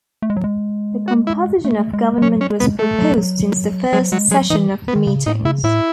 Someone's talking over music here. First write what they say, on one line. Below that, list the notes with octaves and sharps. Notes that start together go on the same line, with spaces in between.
The composition of government was proposed since the first session of the meetings.
A3
G#3
F#3
G#3
F#4
E4
A3
G#3
G#3
F#3 C#4
C#4
G#3
B3
A3
F#3
F#3
F#3 G#3
F#3 G#3
F#3 G#3
E3 D#4
B3
D#3
C#3
A2 D#4
C#3 E4
A2 E4